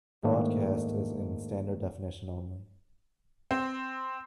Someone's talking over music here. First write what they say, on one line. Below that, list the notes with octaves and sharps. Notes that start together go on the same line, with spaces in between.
Broadcast is in standard definition only.
G#2 D#3 A3 A#3 D4 D#4
C4